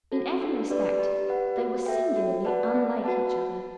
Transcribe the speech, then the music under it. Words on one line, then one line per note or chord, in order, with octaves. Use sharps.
In every respect they were singularly unlike each other.
F#4 A4
D4
G4 B4 D5
G4
B4 F#5
F#4
A4 E5 G5
F#4
B4 D5 F#5 A5
C4
F#4 B4 F#5 A5